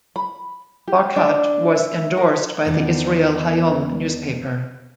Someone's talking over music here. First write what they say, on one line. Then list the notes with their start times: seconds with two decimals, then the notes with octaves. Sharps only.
Barkat was endorsed by the "Israel Hayom" newspaper.
0.16 B5
0.88 G4
1.16 D4
1.76 E5
2.17 A#4
2.65 E2 D#3 B3 D#4 D5